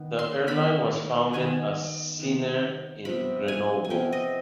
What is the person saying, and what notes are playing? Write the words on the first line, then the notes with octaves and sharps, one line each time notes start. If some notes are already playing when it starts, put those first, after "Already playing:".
The airline was founded as Sinair in Grenoble.
Already playing: D#3 B3
C6
D#3 B3 B5
D#3 B3 G#5
D#3 B3
C3 F3 B3 B5
G#5
G#5
C3 F3 B3 G5
D#5